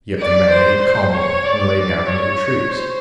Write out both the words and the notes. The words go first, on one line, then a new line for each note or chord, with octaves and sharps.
Yet the men ate calmly and lay down under the trees.
D5
C5
C5
C#5
D5
C#5
C5